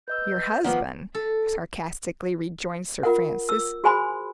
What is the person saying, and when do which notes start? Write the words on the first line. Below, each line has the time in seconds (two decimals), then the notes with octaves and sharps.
"Your husband!" sarcastically rejoined Sir Francis.
0.08 B4 D#5 E6 G6
0.64 D#3 F3 B3 F#5 D6
1.15 A4
3.03 F4 A#4 F#5
3.49 E6
3.84 F#4 G#4 C5 G#5 B5 C6